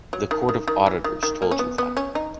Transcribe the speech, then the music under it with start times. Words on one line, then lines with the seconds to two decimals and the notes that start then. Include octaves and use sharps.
The Court of Auditors told you that.
0.13 F#3
0.31 D#3
0.49 D#3
0.68 D#3
0.86 E3
1.04 D#3
1.23 D#3
1.42 A#3
1.51 C#4
1.59 B3
1.78 B3
1.97 C#4
2.15 D#4